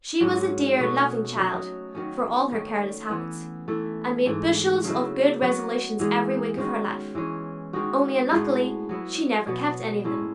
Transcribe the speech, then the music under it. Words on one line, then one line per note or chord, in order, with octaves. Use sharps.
She was a dear, loving child, for all her careless habits, and made bushels of good resolutions every week of her life, only unluckily she never kept any of them.
G#2 F#3 C#4 F#4
B2 A3 C#4 F#4
F#3 A3 D#4 F#4
D#3 F#3 C#4
D#3 A3 C#4
E3 B3 E4
E3 A3 E4
G#2 E3 A3
C#3 F#3 A3 E4
F#3 B3 F#4
E3 G#3 B3 D#4
D#3 G#3 C#4 F#4
E3 G#3 C#4
D#3 G#3 D#4 F#4
A2 G#3 B3 F#4
F#3 B3 E4
B2 F#3 B3
A2 G#3 C#4 E4